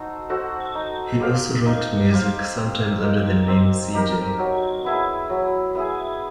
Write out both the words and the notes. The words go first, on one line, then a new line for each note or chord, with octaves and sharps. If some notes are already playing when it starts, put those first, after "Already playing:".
He also wrote music, sometimes under the name C. J.
Already playing: D#4 F#4 A4 C5
F#4 A4 C5
D#4
G4 C5 F5
D#4
G4 C5 F5
C4
D#4 G4 A#4
C4
D#4 G4 A#4
F#3
B3 E4 G#4
F#3
B3 E4 G#4